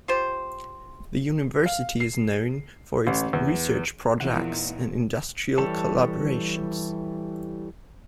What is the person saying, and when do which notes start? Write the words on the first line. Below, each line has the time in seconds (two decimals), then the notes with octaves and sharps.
The university is known for its research projects and industrial collaborations.
0.08 F4 G4 C5
1.66 F5
2.00 C7
3.07 A1
3.33 E2
4.20 E2 A#2 E3 F3 A#3 E4 F#5
4.52 D#4
5.58 E3 G3 A4 C#5 A5